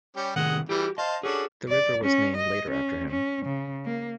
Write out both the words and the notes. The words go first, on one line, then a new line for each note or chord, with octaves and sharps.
The river was named later after him.
G3 C#4 G4
A2 C3 D#3 G#3 D#5 F#5
E3 G3 F#4 G4
C5 D#5 F5 A5
C#4 D4 F#4 G#4 A4
D5
C#4
D#5
C#4
C#4
C#3
A#3